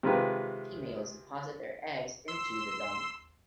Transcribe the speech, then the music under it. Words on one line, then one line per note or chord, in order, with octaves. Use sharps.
Females deposit their eggs into the dung.
C3 D#3 G#3 C4 F4 B4
C6 E6